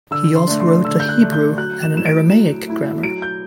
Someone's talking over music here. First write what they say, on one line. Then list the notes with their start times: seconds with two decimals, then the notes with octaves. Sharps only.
He also wrote a Hebrew and an Aramaic grammar.
0.11 D3 E6
0.36 C6
0.48 A3 D4
0.60 C6
0.85 D3 E6
1.00 G6
1.09 F#6
1.20 A3 D4
1.33 G6
1.57 F#3 F#6
1.82 E7
1.94 A3 E4 E7
2.06 D7
2.30 F#3 E7
2.67 A3 E4
3.03 F#3 D7
3.22 G6